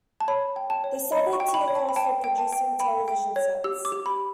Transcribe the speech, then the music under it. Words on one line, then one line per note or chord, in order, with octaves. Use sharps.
This added to the cost of producing television sets.
A5
C#5 B5
G5
A5
C#5
C#5 B5
C#6
G5
C#6
B5
C#5
A5
B5
G5 A5
G5
A5
G5
G5 B5
G5
C#5
G4 E6
D6
G4
B5